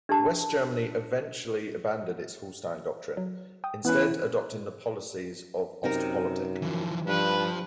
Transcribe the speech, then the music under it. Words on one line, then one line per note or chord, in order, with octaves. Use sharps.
West Germany eventually abandoned its Hallstein Doctrine, instead adopting the policies of Ostpolitik.
D4 G4 A5
F#3
G5 D#6
E3 B3 C#4 B4
F#2 C3 D#4 A#4
E3 F3
G2 F3 B4